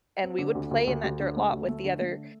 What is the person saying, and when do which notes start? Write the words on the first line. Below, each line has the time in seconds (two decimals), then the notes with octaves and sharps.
and we would play in that dirt lot with the other
0.23 C4
0.39 D3
0.55 D2
0.71 D2
0.87 D2
1.04 D2
1.20 D3
1.36 A3
1.52 D2
1.68 A3
1.85 D3
2.01 A3